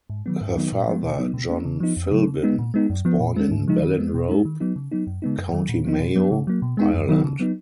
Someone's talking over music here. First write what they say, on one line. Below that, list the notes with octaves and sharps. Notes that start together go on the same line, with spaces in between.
Her father, John Philbin, was born in Ballinrobe, County Mayo, Ireland.
G#2
D#3 F#3 B3
G#2
D#3 F#3 B3 D#4
A#2
F3 G#3 B3
B2
F#3 B3 D#4
B2
A#3 C#4
C#3
F3 B3 D#4
F2
C#3 F#3
C#3
G#3 B3 D#4
A#2
G#3 B3 D#4
F#2
F3 B3
A#2
G#3 C#4
G#2
F3 G#3 D#4
D#3
G#3 B3
B2
G#3 D#4
D#3
F#3 B3 D#4
C#3
F#3 B3 D#4
F#2
C#3 G#3 B3 D#4
F#2
D#3 F#3
A#2
F3 B3 D#4
B2
F#3 B3
C#3
F#3 A#3
B2
G#3 B3 D#4
F#2
D#3 F#3 B3 D#4
C#3
F#3 B3 D#4